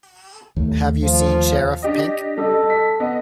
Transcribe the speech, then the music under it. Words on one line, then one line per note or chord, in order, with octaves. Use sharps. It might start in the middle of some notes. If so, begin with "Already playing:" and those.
Have you seen Sheriff Pink?
D#2 A3
F3
D4 G4 D#5
G3 A4 D#5
B6
B3 D#5